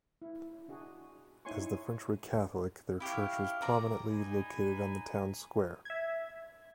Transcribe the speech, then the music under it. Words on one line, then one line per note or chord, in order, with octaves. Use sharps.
As the French were Catholic, their church was prominently located on the town square.
E4
D4 F#4 G#4
D#4 E4 C#5 G#5 C6 C#6
E4 G4 C#5 F5
A#4 D5 A#5
D#4 G#5 B5
E5 G#6